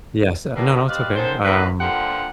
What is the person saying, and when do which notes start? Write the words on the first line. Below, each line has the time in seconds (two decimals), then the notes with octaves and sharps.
Yes uh, no, no, it's okay. Um,
0.55 D3 D#3 G3 A#3 B3
0.89 G3 C4 B4 D5 D#5 F5
1.16 G#2 D#3 C#4 A4 C5
1.44 E2 D3 D#3 A#3 B4
1.80 G2 A#2 D3 F3 G4 F#5